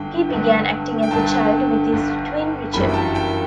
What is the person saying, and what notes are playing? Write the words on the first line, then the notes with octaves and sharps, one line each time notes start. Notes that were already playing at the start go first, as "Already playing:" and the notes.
He began acting as a child with his twin Richard.
Already playing: G1 G2 D3 G5
G1 G2 D3
G5
G1 G2 D3 A5
G1 G2 D3
F#1 F#2 E3 G3 B5
G5
A5
G5